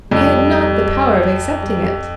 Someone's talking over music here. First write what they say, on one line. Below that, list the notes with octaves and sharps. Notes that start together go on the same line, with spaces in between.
He had not the power of accepting it.
F2 G3
G3